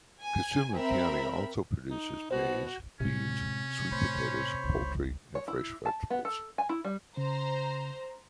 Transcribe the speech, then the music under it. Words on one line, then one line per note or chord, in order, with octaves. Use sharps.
Kisumu County also produces maize, beans, sweet potatoes, poultry and fresh vegetables.
G#5
C4 A#4 E5 B5
D#4
B2 F#4 C5
A2 C3 G#3 C#4
A2 C5 C#5 B5
G1 C#2
C#5
E4
A5
B3
A4
G#5
E4
G3
C#3 C5 A#5